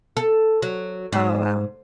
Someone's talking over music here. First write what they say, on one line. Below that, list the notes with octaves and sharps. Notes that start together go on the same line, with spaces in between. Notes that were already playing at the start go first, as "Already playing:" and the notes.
Oh, wow.
A4
F#3
G#2